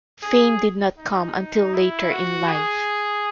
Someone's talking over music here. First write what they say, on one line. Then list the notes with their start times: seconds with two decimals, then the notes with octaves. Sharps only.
Fame did not come until later in life.
0.23 G#4
0.98 D#4
1.74 E4
2.11 F#4
2.48 G#4